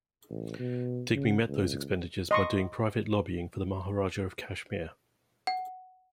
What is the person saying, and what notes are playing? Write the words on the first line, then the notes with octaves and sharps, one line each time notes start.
Digby met those expenditures by doing private lobbying for the Maharaja of Kashmir.
A1
B2
C#3
C#2
D#5 C6 C#6
F#5